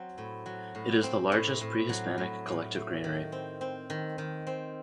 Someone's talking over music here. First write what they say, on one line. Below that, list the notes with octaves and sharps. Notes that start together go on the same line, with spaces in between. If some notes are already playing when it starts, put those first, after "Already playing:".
It is the largest pre-Hispanic collective granary.
Already playing: F#3 C4
A2
F#3
A2
C4
A2
A2
F#3
A2
A2
A3
D#3
C4
C4
D#3
D#3
C4